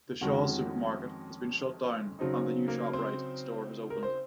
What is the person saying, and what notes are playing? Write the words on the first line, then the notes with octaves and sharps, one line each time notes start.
The Shaw's supermarket has been shut down and the new ShopRite store has opened.
F2 D#3 G#3 C#4 F#4
C#3 F#3 C4 D#4
A#3 A#4
C4 C5
A#4
C5